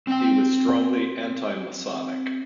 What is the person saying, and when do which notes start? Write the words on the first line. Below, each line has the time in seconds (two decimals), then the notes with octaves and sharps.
He was strongly Anti-Masonic.
0.07 C4 G5